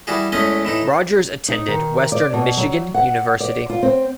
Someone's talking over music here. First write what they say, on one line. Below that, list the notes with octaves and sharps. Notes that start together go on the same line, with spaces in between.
Rogers attended Western Michigan University.
E3 G3 F#4 G#4
E2 G#3 A3 C#4 D#5
A2 E3 D#4
D#4
D#3
D5
B2
F#3
F#5
D5
F4
C4